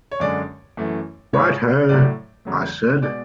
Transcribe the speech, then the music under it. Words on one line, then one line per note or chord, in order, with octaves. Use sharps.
"Right ho," I said.
C#5
F#2 D3 G#3 D5
F#2 E3 A3
G#2 G#3 C#5
A2 F#3 A3 D5
E2 C#3 F#3 A3
B2 G#3 D5